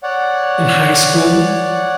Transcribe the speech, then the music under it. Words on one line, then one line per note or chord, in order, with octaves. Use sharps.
in high school,
C#5 D5 F#5